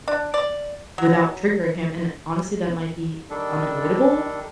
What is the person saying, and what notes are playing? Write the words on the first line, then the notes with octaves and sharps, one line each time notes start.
without triggering him, and it honestly, that might be unavoidable,
D4
D5
F#3
D#3 G3 D4 A4